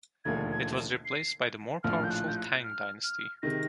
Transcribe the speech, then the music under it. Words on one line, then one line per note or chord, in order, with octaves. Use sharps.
It was replaced by the more powerful Tang dynasty.
E1 D#2 D3 F3 A3 G#6
G#6
C7
A#1 A2 F3 F6
G6
F#6
G6
F#6
F6
F6
C3 D#3 G#3 A#6